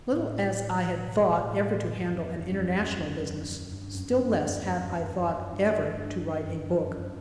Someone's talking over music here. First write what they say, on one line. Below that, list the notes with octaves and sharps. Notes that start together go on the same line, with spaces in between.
Little as I had thought ever to handle an international business, still less had I thought ever to write a book.
A2
B2
A2
F#2
F#2
E2
F#2
F#2
G2
F#2
G2
E2
F#2
G2
G2
F#2
F#2